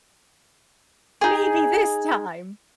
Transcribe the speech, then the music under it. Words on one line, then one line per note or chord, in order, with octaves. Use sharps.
"Maybe this time."
D#4 G#4